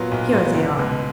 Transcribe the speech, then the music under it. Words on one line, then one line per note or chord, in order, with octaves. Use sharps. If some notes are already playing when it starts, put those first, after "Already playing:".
Here they are...
Already playing: A#2 F#3 B3
B1
A#2 F#3 B3
C#2
B2 G#3 B3